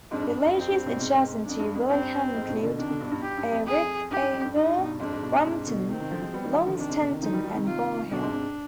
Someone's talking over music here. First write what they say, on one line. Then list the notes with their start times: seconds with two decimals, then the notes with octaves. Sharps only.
Villages adjacent to Willingham include Earith, Over, Rampton, Longstanton and Bar Hill.
0.11 F2 G#2 D4
0.22 G2
0.34 F2
0.45 G2
0.56 F2 C4
0.71 G2
0.85 G2 B2
1.00 G#2 C3
1.44 F2 D4
1.59 G2
1.74 F2
1.89 G2 C4
2.34 F2 G#2
2.49 G2 B2
2.63 B2 D3
2.78 C3 D#3 D4
2.89 B2 D3
3.00 G2 B2
3.11 G2 B2
3.22 G2 G4
3.37 G2
3.52 F2
3.67 G#4
4.11 G2 G4
4.22 G2
4.33 F2
4.45 G2
4.55 G2 D#4
4.78 G2 B2
5.00 F2 G#2 D4
5.13 G#2
5.22 G2 B2
5.44 G#2 C3
5.67 B2 D3
5.89 C3 D#3 C4
6.00 C3 D#3
6.11 D3 F3
6.22 F3 G#3
6.33 G3 B3
6.44 D#3 G3
6.56 D#3 G3
6.66 D3 F3
6.78 C3 D#3 D4
6.89 G#2 C3
6.99 B2 D3
7.11 C3 D#3
7.22 D3 F3 D#4
7.33 D#3 G3
7.44 D#3 G3
7.55 C3 D#3
7.66 F4
8.11 B2 D3 D4
8.22 G#2 C3
8.33 G#2 C3